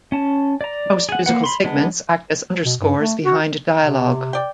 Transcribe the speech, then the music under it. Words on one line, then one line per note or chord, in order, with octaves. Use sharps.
Most musical segments act as underscores behind dialogue.
C#4 A5
D5 A#5
G#4 F#5
A#3 B4 F#5
B5 C6
G#3 B3 D4
B2
G2
A3
F#4
C3
D5 G5